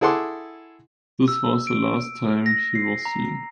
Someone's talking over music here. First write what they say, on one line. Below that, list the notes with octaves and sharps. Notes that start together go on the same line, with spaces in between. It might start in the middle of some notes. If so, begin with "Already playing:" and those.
This was the last time he was seen.
E4 G#4 A4 F#5 C6 D6
E6
D7
A#6
C7
A#5